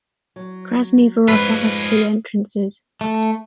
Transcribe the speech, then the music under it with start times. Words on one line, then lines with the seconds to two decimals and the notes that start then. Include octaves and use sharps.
Krasnye Vorota has two entrances.
0.36 F#3
1.28 F2 G#2 C#4 F4 G#4 B4
3.01 A3